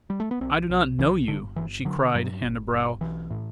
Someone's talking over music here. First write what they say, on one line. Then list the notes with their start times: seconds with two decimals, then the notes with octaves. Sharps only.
"I do not know you," she cried, hand to brow.
0.10 G3
0.20 A3
0.31 B3
0.41 B1 C4
0.70 B1
0.99 B1 E3
1.27 G1 D3
1.56 G1 E3
1.85 D3 F#3
2.15 G2 F#3
2.43 G1
2.73 G1
3.01 B1 E3
3.31 A2